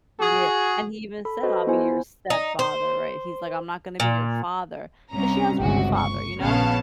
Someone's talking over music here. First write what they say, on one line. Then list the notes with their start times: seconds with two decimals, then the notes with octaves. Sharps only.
Yeah, and he even said, "I'll be your stepfather," right, he's like, "I'm not gonna be your father," 'cause she has her own father, you know,
0.21 F#4 G#4
1.25 A4 B5
1.43 F#4 A4 B4 C5 D#5
1.67 B3 E4 F4 C5 G#5
2.30 D#4
2.59 C5
4.00 A#2
5.11 C2 C#4 A#5
5.59 G1 C#2 C3 F#4
5.96 C#6
6.39 A#1 C#3 B3 C#4 F5 A5